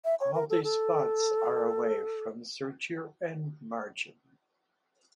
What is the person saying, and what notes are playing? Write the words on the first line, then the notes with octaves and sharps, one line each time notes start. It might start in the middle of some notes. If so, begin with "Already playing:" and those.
All the spots are away from suture and margin.
E5
C#5
A#4
A4
A4